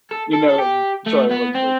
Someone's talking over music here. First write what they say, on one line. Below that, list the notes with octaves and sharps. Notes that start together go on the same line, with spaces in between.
you know, sorry, I wasn't like,
A4
A4
A4
G4
A3
B3
C4